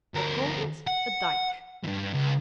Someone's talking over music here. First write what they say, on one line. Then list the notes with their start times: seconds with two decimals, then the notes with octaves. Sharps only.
They called it a dyke.
0.14 D2 A#4
0.87 F#5
1.83 E2 G2
2.13 C#2